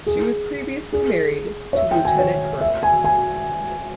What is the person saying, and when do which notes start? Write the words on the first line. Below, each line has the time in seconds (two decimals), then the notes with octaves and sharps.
She was previously married to Lt.-Col.
0.07 G#4
0.93 G#4
1.73 C#5
1.77 E5
1.91 G5
2.05 G#5
2.19 C#5
2.61 E5
2.83 G#5
3.04 G#5